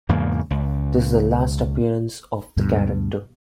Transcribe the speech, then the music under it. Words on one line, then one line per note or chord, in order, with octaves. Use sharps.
This is the last appearance of the character.
E2 G#2 C#3 A#3
C#2
D2 G2 B2